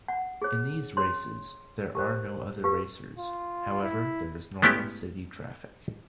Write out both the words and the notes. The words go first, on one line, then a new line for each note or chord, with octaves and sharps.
In these races, there are no other racers, however there is normal city traffic.
F#5
G#4 C#5
C#5 C6
G4 A#4 C5
G4 B4 F5
F4
E4
G#3 A3 B3 C#4 E4 G4